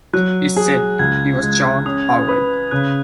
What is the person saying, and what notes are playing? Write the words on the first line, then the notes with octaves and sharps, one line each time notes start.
He said he was John Howard.
F#3 F#6
G#4
C#2 G#6
G#3
C#4 D#6
B4
C#3 F#6